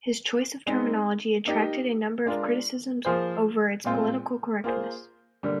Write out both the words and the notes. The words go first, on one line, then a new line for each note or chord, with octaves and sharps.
His choice of terminology attracted a number of criticisms over its political correctness.
G#3 C4 D#4
A#3 D#4 G4
G#3 D4 F4 A#4
F3 A#3 F4 G#4 C5
A#2 G#3 C4 F4 C5
A#3 F4 G#4 C5
D3 G3 A#3